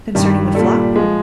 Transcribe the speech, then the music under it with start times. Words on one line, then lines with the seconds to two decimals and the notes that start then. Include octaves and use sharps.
Concerning the flock?
0.15 G2 D#3 G3
0.55 A#2 G3 A4
0.96 F3 G#3